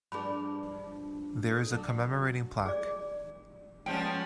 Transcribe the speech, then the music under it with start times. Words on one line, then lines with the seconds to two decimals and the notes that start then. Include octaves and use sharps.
There is a commemorating plaque.
0.12 G2 F3 D4 G#4 B5
1.51 A4
1.70 F#3 D4
2.65 G#4 D5
3.86 F3 G3 G#3 B3 C#4 G5